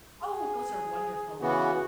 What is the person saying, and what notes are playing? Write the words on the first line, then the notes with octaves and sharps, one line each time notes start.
Oh, those are wonderful.
G#4
C#3 E3 B3 F#4